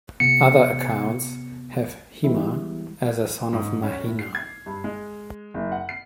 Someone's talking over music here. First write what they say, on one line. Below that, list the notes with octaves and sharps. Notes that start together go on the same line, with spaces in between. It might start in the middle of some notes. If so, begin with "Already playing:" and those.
Other accounts have Hema as a son of Mahina.
C3 B3 C#7
E3 G3 G#3 B3 E4
G#2
C#4
A2
C7
G#6
G2
G#3
F#1
F#5
C7